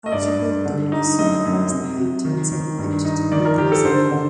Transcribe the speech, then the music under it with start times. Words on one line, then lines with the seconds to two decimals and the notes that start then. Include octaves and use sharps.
Archibald Douglas supervised the painter and sent the picture to Queen Elizabeth.
0.06 D#5
0.12 G2 D5
0.39 G2
0.66 D3
0.92 D#4
1.19 F#2 D#5
1.45 F#2
1.71 C3
1.99 C3
2.25 D#3
2.52 D#3
2.78 G2
3.05 D#4
3.32 D#3 D5
3.45 A#4
3.58 D#3 G4
3.72 A4
3.84 D3 C5
4.11 D3